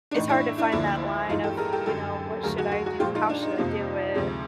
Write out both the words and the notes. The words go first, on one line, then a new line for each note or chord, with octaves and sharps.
it's hard to find that line of, you know, "What should I do? How should I do it?"
D4
A2 E3 A3 D#4
D4 E4
D4 E4
D2 D3 F3 A#3 D4 E4
G2 E3 G#3 D#4 F4
G4 A4
G#4 A#4
G4 A4
F#2 D3 F#3 G4 A4
D#2 D3 F#3 A3 G#4 A#4
F#4 G#4
F#4 G#4
F#4 G#4
A#2 F3 G#3 F4 G4
D#4 F4
D4
D#4
F2 C3 F3 A#3
D2 C3 F3 G#3